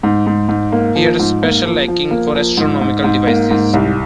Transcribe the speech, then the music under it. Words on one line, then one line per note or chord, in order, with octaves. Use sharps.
He had a special liking for astronomical devices.
G#2
G#2
G#2
A#3
F3
G#2
A#3
F3
F3
A#3
F3
G#2
G#2
G#2
A#3
G#2
C2